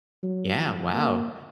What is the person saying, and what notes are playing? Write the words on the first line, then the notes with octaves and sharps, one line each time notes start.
Yeah, wow.
F#3
F3
A#3